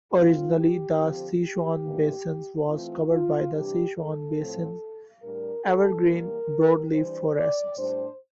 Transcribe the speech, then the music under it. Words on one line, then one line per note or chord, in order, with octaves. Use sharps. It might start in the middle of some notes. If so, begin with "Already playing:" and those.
Originally, the Sichuan Basin was covered by the Sichuan Basin evergreen broadleaf forests.
A2 G3 C4 F4
G4
D3 F3 C4
G4
A2 E3 A#3 D4
E3 A3 C4 F4
F4
C3 E3 G3 D4 G4
A4
A2 F3 C4
A2 G3 D4 A#4
A4
E3 G3 A#3 A#4
E3 G3 D4 C5
D5
A2 G3 D4 C5